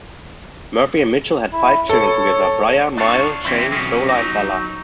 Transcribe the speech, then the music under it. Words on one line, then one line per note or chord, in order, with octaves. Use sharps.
Murphy and Mitchell had five children together: Bria, Myles, Shayne, Zola, and Bella.
E4
A4 C#5
D4 F4 C#5
C3 E3 C4 E4
B1 C#4 F#4 G#4
F#3 D#4